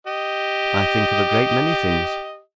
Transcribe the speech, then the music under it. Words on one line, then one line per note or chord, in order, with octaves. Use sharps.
I think of a great many things.
G4 D#5